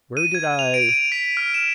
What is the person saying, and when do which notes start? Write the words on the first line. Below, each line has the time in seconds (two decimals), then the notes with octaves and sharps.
Where did I?
0.17 D#7
0.35 G#6
0.59 F7
0.74 D7
0.89 D#7
1.12 B6
1.37 F6
1.54 E7